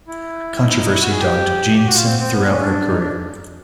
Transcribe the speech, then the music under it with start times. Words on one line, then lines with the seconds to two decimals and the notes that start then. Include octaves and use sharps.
Controversy dogged Jeanson throughout her career.
0.08 E4
0.63 D#4
0.77 D#4
0.92 E4
1.01 F#4
1.11 G#4
1.20 G4
1.76 G4
1.86 F#4
1.95 F4
2.05 C4
2.19 C4
2.32 B3
2.47 C#4
2.61 D4
2.88 D#4
2.99 D4